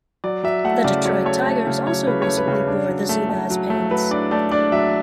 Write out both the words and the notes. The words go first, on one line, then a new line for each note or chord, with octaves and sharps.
The Detroit Tigers also recently wore the Zubaz pants.
F#3 D5
F#3 E5
A3 F#5
C#3 D5
F#3 C#5
A3 C#5
A3
C#3
F#3 C#5
C#3 B4
C#5
A3
B4
C#3
C#5
D4
F#3
A3
A3
F#3
A3
F#3 B4
D4 D5
A3 D5
D4 D5
F#3 E5